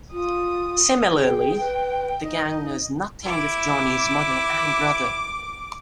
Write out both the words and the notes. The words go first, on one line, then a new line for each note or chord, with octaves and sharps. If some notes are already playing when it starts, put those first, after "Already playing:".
Similarly, the gang knows nothing of Johnny's mother and brother.
F4 D#6
G#4 G5
B4
D#4 D#5
E4 D6